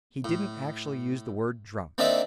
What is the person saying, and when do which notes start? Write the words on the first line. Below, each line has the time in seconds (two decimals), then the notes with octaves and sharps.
He didn't actually use the word 'drunk.'...
0.24 A2
1.98 A#3 C4 D4 D#4 D5 E5